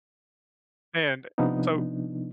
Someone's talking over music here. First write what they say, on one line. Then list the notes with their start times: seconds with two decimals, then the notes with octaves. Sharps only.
And, so
1.38 C3 F3 B3 D4 D#4